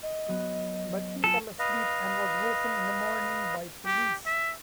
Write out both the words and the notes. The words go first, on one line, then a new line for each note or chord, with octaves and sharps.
But he fell asleep and was woken in the morning by police.
D#5
F#3 B3 F#4
F4 A4 G#5
B4 D#5 F5
G4
E5